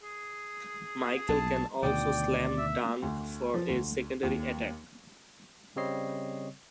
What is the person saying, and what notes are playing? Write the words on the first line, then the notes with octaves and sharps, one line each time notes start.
Michael can also slam dunk for a secondary attack.
G#4
B1 A5
D2 B2 D#3 D5 G5
E5
D2
F3
D2
D#2
C#3 G3 C4 C#5 D#5 C7